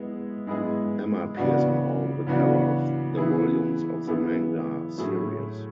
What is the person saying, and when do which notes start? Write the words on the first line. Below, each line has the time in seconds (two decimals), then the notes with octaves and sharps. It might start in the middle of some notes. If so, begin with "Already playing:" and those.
Emma appears on all the cover of the volumes of the manga series.
Already playing: G#3 B3 E4 G#4
0.47 G#3 B3 E4 G#4
1.37 C#3 E3 B3 D4 F#4
2.26 C#3 E3 B3 D4 F#4
3.17 E3 B3 E4 G#4
4.07 E3 B3 E4 G#4
4.97 A2 F#3 A3 E4 G#4